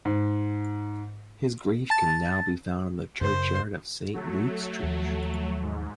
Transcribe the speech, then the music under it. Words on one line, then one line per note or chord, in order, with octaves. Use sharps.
His grave can now be found in the churchyard of Saint Luke's Church.
G#2
A5 A6
F#2 C#3 C5
F#3 A3
D#2 F3
G#2